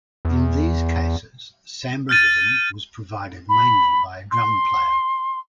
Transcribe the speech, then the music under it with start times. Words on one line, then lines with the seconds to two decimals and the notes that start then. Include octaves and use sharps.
In these cases, samba rhythm was provided mainly by a drum player.
0.25 E2
2.09 F6 G6 A6 D#7
3.49 B5
4.32 C6